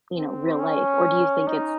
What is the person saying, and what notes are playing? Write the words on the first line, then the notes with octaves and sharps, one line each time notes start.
you know, real life, or do you think it's
C4
C#4
D#4